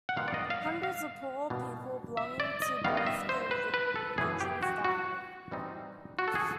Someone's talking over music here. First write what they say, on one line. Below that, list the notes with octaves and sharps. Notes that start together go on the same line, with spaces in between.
Hundreds of poor people belonging to both the religions die.
F#5
D#3 G#3 B3 D#4 F5
D5
D#5
F5
F#5
F5
B2 G3 A#3 D4
E5
D5
D#5
D#3 G3 B3 F5
D#5
E5
C5
B4
B4
A4
F#2 C#3 E3 G#4
G4
F#4
F#4
E3 G3 C4 D#4
F#4
A4
G#4